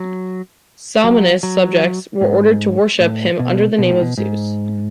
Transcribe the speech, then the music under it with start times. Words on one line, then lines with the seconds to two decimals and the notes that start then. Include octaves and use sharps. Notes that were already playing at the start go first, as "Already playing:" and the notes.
Salmoneus' subjects were ordered to worship him under the name of Zeus.
Already playing: F#3
1.04 F#3
1.43 F#3
2.21 G#2
3.00 A2
3.39 B2
3.78 B2
3.90 A2
4.02 B2
4.18 G#2